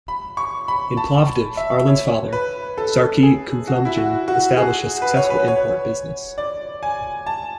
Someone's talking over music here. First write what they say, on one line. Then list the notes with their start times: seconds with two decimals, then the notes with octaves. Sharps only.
In Plovdiv, Arlen's father, Sarkis Kouyoumdjian, established a successful import business.
0.08 B5
0.37 C#6
0.68 B5
0.97 A5
1.57 E5
1.87 C#5
2.33 B4
2.78 A4
3.23 G#4
3.67 F#4
3.85 E4
3.98 F#4
4.28 F#4
4.57 G#4
5.02 B4
5.17 C#5
5.30 B4
5.48 C#5
6.38 D5
6.83 G#5
7.26 A5